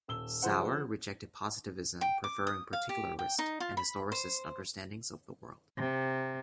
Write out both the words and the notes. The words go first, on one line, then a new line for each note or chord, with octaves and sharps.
Sauer rejected positivism, preferring particularist and historicist understandings of the world.
D#1 E6 G7
C#3 F3 C5 F#5
G5
D6
D#6
F5
G4
G5
D#4
F4
B5
C5
C3